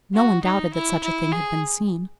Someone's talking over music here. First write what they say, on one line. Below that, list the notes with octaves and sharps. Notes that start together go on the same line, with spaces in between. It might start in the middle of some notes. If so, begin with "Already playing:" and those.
No one doubted that such a thing had been seen.
F#4
D#4
E4
E4
G#4